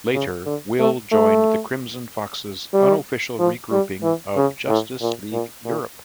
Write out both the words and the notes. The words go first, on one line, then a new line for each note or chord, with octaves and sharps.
Later, Will joined the Crimson Fox's unofficial re-grouping of Justice League Europe.
C#3
D3
A3
A3
G3
F3
G3
E3
C#3
A2
A#2
A#2
A#2